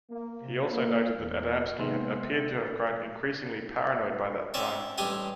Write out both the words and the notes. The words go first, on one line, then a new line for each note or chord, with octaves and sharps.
He also noted that Adamski appeared to have grown increasingly paranoid by that time.
A#3
C3
A#3
E2
C3 D#3 G#3 A#3 B3 C6
C4 C#4 D5 E5
A1 G2 D#4 G4 A4 G#5